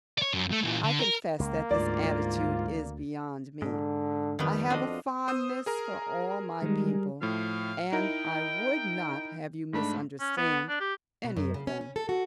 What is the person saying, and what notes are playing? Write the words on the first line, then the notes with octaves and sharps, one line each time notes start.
I confess that this attitude is beyond me; I have a fondness for all my people, and I would not have you misunderstand any of them.
C#5 D5
F#2
A3
A#2 E3
D3
A#4
C#2 A#3
D2 G#2 F4 D5
G#2 D3
F2 D#3 G3 B3
F2 D4 F4 F#4 D#5
C5 D#6 E6
G#4 A#4 A#5
D#3 G3 G#3
A2 F3 F5
D#4 E4 A#4 G5
G#2 A3 D4 B5
C#4
B3
D4
G4
B2
F#2
C#3
C#4
C#4
A4
F#4